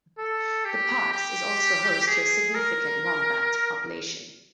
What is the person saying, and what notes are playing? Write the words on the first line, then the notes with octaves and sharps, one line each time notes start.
The parks is also host to a significant wombat population.
A4
G4
G4
G#4
A#4